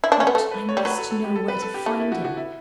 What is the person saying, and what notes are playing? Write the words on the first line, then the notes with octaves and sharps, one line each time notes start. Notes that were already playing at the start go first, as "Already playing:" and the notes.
But I must know where to find him.
E4
D4
C#4
B3
A3 A4
B4
C#5
G3
F#3 B4
A4
A4
G4
A4
B4
A4
G4
A3 E4
E4
F#4
F#4
E4